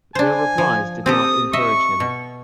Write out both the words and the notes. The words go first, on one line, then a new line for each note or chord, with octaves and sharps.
Their replies did not encourage him.
D4 C5 G#5
F3
C4 G4 A4 D#6
D#5 E5 C#6
B2